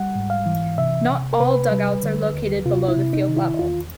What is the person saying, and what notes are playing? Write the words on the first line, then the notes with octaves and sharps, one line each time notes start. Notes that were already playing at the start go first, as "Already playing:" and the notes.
Not all dugouts are located below the field level.
Already playing: G3 F#5
G#2
F5
E3
C3 E5
C3
A#4
C3 B4
G3
D3
D#2
C3 F4
E4
C3
D#4
D#3
E4
E2 F4